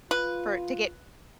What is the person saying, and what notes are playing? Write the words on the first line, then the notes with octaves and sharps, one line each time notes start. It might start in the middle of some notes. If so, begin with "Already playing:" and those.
for to get
F4 B4